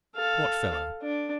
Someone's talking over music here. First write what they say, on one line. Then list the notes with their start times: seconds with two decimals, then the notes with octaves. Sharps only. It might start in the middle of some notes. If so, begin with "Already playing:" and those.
"What fellow?"
0.16 A4 F5
1.02 D4